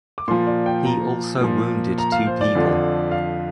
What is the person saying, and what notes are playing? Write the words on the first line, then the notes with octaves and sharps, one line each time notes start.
He also wounded two people.
D6
A#2 F3 C6
D5
G5
A#5
A#2 F3
A#5
F5
C5
D5
F2 D3 F3
F5